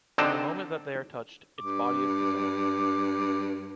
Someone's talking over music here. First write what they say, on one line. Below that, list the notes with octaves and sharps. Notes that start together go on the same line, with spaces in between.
In the moment that they are touched, its body is dissolved.
D3 C4 D4 D#4 A5
G2 D6